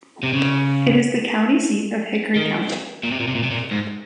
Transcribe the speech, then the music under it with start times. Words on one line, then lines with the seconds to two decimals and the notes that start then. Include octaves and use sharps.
It is the county seat of Hickory County.
0.23 C3
0.33 C#3
2.36 D#3
3.03 A#2
3.11 C3
3.20 A#2
3.28 C3
3.35 A#2
3.43 C3
3.51 A#2
3.72 G#2